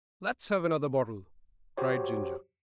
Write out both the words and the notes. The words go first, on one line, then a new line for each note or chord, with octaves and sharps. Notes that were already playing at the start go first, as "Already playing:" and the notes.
"Let's have another bottle," cried Ginger.
F#4 G4 C5 C#5